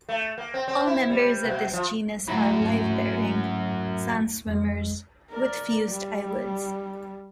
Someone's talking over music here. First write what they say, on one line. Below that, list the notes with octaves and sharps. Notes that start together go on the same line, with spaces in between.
All members of this genus are live-bearing, sandswimmers, with fused eyelids.
A3
A#3
C4
C4
E4
G3
B2
F3
F#2 A2 E4 B5
G#2
F2 G#3
A#4 D5
G3